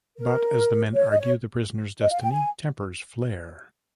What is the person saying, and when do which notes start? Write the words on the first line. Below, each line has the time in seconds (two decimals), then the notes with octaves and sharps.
But as the men argue the prisoner's destiny, tempers flare.
0.18 A#4
0.94 C#5
1.10 D#5
1.20 C#5
2.02 D#5
2.12 F5
2.22 G5
2.32 G#5